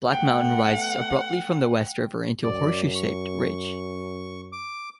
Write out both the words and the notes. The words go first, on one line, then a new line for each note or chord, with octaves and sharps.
Black Mountain rises abruptly from the West River into a horseshoe-shaped ridge.
A3 B3 F#5 G5
F#2 D5
C#6
D6